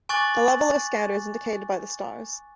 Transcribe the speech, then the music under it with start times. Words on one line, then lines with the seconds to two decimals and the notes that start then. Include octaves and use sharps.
The level of a Scouter is indicated by the stars.
0.09 G#5 C#6 D6 F#6 A6 F#7